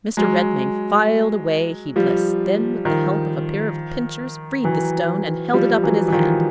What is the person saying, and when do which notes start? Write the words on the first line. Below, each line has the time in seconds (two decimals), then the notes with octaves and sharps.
Mr. Redmain filed away, heedless; then with the help of a pair of pincers freed the stone, and held it up in his hand.
0.17 F#3 G#3
1.96 F3 G3
2.85 D#3 F3
4.64 E3 F#3
5.53 F3 G3
5.83 E3 F#3
6.08 E3
6.12 D#3 F3